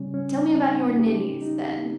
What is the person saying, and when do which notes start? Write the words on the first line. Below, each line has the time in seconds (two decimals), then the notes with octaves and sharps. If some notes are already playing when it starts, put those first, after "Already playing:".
"Tell me about your ninnies, then."
Already playing: C#3 G3 C#4
0.14 C#4
0.57 D#4
0.99 G4
1.42 D#4